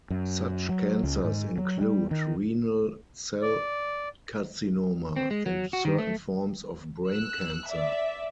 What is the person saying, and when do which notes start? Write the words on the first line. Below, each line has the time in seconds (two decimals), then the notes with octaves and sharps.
Such cancers include renal cell carcinoma, and certain forms of brain cancer.
0.10 F#2
0.69 F#3
1.03 C#2
1.24 G#2
1.58 F#3
1.81 G3
2.11 D#3
3.42 D5
5.16 C4
5.31 G#3
5.46 F#3
5.73 F#4
5.85 D#3
5.98 A3
7.09 E6 F#6
7.67 D5 E5